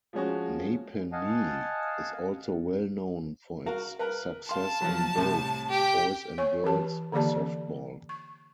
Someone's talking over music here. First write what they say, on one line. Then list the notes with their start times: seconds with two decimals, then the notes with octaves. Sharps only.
Napanee is also well known for its success in both boys and girls softball.
0.13 F3 G#3 C#4 F#4
1.12 D#5 F5 F#5 G#5 A5
3.66 F#4 A#4 F5
3.99 A#4 B4
4.49 F5 A5 C6
4.82 F3 F#3
5.15 C2 A2 C3
5.69 G4
6.38 C#5 G#5 C#6
6.64 E3 G4 A5
7.12 D3 E3 A#3 G4 D5 A5
8.09 C#6